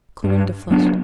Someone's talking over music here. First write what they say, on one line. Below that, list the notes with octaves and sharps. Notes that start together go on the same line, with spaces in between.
Clorinda flushed.
G2
F#3 B3 D4